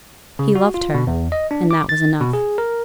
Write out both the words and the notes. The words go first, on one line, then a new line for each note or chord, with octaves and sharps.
He loved her, and that was enough.
C#3
F#4
F4
B2
E2
D#5
D4
D6
A6
B2
G#4
A#4